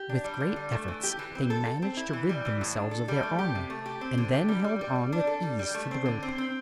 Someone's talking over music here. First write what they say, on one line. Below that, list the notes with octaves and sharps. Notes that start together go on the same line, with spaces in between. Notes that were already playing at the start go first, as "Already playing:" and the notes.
With great efforts they managed to rid themselves of their armour, and then held on with ease to the rope.
Already playing: G4
D4
G3
D3
G3
A3
E3
G4
E3
C4
A4
A4
C4
E4
E3
G3
E3
A2
D4
A4
G3
A3
G4
C3
A3
G4
C4
D3
G4
G3
G3
G3
G3
D4
A4
G3
G3
A3
C4
D3
C4
C4